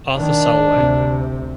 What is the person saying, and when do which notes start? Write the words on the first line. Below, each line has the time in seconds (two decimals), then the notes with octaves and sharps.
Arthur Salwey.
0.19 D#3 D4
0.75 D2 C3